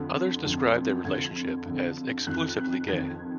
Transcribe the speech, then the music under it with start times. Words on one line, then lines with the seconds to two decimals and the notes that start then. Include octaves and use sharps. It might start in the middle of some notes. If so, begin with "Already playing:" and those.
Others described their relationship as "exclusively gay".
Already playing: F2 D3
0.43 F2 D3
1.04 F2 D3 G#6
1.65 F2 D3
2.27 F2 D#3 F#6
2.57 F#6
2.88 F2 D#3 G#6